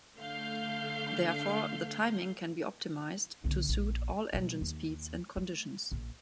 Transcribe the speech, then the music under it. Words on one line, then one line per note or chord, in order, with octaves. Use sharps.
Therefore, the timing can be optimized to suit all engine speeds and conditions.
D3 A3 F5 F6 G6 C7
B1 D3
A#1
B2 G3
D#2
A3
A#1